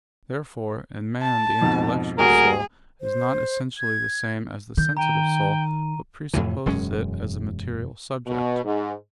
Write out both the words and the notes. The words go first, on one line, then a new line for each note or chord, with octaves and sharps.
Therefore in man the intellectual soul is not essentially the same as the sensitive soul, but presupposes it as a material subject.
A5
F2 G#2 B2
D#1 D2 F#4 G#4 A#4
C5
G#6
D#3 G6
G5 A#5 D#7
F2 A2 C3 E3
E1 F#2 G#3 C#4
B2
G#2